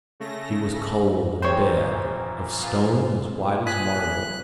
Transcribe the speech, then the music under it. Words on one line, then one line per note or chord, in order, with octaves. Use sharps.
She was cold and dead--of stone as white as marble.
C#3 A3 A#6
F#2 A#2 E3 F3 C4 C5 C#5
E2 F3 F4
A#3 F4 G#4 F#6 B6